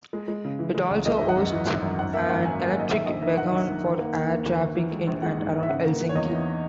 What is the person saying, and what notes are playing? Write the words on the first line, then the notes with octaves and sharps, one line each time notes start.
It also hosts an electric beacon for air traffic in and around Helsinki.
G#3
G#3
C#3
E3
G#3
C#2
G#3 D#5
G#1 E5
F#5
F#2
E3
G#1
F#2
G#1 F#5
A#3 E5
G#1 F#5
F#3 G#5
A#3
G#2 D#5
D#3 E5
A#1 D#5
D#3 E5
A#1 F#5
A#1
D#3
D#3
A#3
D#2
A#3
D#2
D#2
E3
G#3
A#1
G#3 F#5
G#2
G#2
E5
C#3 F#5
A#3
E3
C#5
E2 D#5
E3